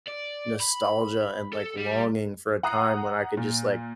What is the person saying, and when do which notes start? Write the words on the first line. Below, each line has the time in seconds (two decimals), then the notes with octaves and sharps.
nostalgia and, like, longing for a time, when I could just like
0.08 D5
0.61 B5
1.53 A4
1.77 G3
2.63 F#5 A#5 D#6 F#6 C7
3.37 A#2